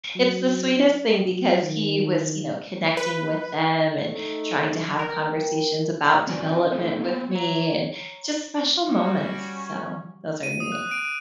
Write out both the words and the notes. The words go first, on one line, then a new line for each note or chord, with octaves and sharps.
it's the sweetest thing because he was, you know, connecting with them and trying to have conversations about development with me, and just special moments, so those are neat.
F#3
F#3
D#3
B4
A3 D#4
B3 A#4 G5
C4 C#4 F#4 D5 G#5
A3 C4 D#4
A#3 B3 C5
C#5 A#5
G3 C#4 F#4
D#7
D#6
F#6
D7